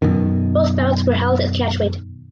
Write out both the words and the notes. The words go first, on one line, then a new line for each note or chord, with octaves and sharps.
Both bouts were held at catchweight.
F#2 B2 D#3